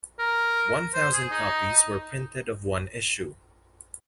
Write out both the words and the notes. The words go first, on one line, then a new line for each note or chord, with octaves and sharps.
One thousand copies were printed of one issue.
A#4
C5
G#4
D#4